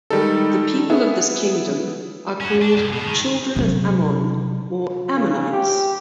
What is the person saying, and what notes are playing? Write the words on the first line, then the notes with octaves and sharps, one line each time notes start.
The people of this kingdom are called "Children of Ammon" or "Ammonites".
D#3 G3 G#3 D#4 A4
B3 G#4 E5
C#4 F#4
D4
C2 G2
B2
D#3
C3 F#3
C#3
G4